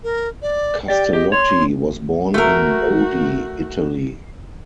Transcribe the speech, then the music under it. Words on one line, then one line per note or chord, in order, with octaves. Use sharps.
Castellotti was born in Lodi, Italy.
A#4
D5
G4 D5 G5
G4 D#5
C#5 C6
A3 F#4 A#4